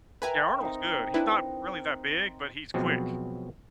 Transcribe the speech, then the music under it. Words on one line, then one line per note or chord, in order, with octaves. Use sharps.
Yeah, Arnold's good. He's not really that big, but he's quick.
A#4 B4 E5 G5 G#5 A#5
C4 D#4
D4 E4 B4
B2 F3 F#3 G#3 C4